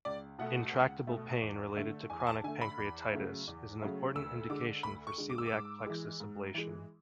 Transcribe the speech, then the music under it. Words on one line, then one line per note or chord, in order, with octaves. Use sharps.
Intractable pain related to chronic pancreatitis is an important indication for celiac plexus ablation.
C#2 D5
B2 A3 F#5
C#2
B2 A3
E2
D3 A3
E2 G#5
G#5
A5
D3 A3 G#5
B5
E2
C#3 F#3 A3
E2
C#3 F#3 A3
D2 E6
D3 G#3 D6
D2 B5
C#6
D3 G#3
D6
E6
D6
G#2
E3 G#3
G#2
E3 G#3